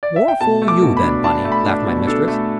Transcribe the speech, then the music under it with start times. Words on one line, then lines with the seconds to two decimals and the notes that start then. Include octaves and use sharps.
"More fool you, then, Bunny," laughed my mistress.
0.03 D5
0.16 E5
0.28 G5
0.41 B2 A5
0.62 A3
0.68 D6
0.82 B2
0.97 B5
1.03 D4
1.24 D4 A5
1.45 A3
1.52 B5
1.65 D4
1.86 B2
2.07 D4 A4
2.28 A3